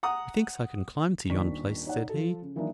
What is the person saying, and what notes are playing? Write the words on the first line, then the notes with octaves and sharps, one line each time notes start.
"Methinks I can climb to yon place," said he.
F#5 A#5 D#6
D#1 D#3 C#4 D4 C#6 B6
D#4 C#5 D5 F#5
F3 A4
C#3
D#3 E3 F#3 A#3 D4 D#4